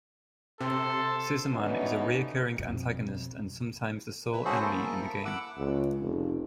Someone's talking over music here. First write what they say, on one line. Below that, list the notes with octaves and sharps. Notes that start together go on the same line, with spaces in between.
Scissorman is a reoccurring antagonist and sometimes the sole enemy in the game.
C3 A4 C5 C6
B2 D3 E3 B3 C#4 D#4
B1 F2
E4 B4
C#4 E4 F#4 G#4 A4 C5
A#3 A4
E4
F#5 D6 E6
C#2
F1